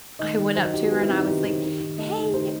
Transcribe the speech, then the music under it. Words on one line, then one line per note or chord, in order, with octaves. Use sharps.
I went up to her, and I was like, "Hey,
D#3 D#5
D#3
F#3 C5
D#5
D#3 G4
F#4
B3 G4
E4
D#3 C4
D#4
D#3 G4
D#3
D#3 G4
D#3
A3 D#5
D#3
D#3 C5